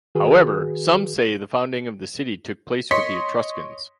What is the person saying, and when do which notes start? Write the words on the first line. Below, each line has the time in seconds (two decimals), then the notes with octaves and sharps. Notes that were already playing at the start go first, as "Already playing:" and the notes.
However, some say that the founding of the city took place with the Etruscans.
0.15 D#3 F#4 G#4 B4
2.91 C#5 D#5 C6 B6 C#7